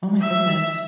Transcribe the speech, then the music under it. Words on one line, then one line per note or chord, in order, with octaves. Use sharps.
Oh my goodness.
E5